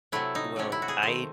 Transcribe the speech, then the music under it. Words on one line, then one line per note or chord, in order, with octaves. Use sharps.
Well, I
C3 F#3 A3 E4
D#4
C3 F#3 A3 C#4
E4
F#4
G#4
D#3 A3 C5